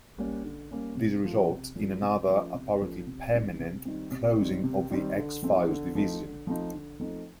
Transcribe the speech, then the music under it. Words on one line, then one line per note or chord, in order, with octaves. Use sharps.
This results in another, apparently permanent, closing of the X-Files division.
G3 A#3 C#4
D3
G3 A#3 C#4
C3
F3 A3 C#4 F4
C3
F3 A3 C#4 F4
C3
F3 A3 C#4 F4
C3
F3 A3 C#4 F4
C3
D#3 G3 C4
C3
D#3 G3 C4
C3
D#3 G3 C4
C3
D#3 G3 C4
D3
F3 A3 C4 D#4
D3
F3 A3 C4 D#4
D3
F3 A3 C4 D#4
D3
F3 A3 C4 D#4